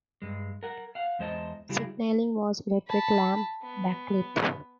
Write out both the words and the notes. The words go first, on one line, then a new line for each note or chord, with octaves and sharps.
Signalling was electric lamp backlit.
G2 G#3
A#4 F#5
F5 F#5
E2 G#3 C5 D#5 A5
C#3 G3 E4 F#4 G#4
A5 B5
B3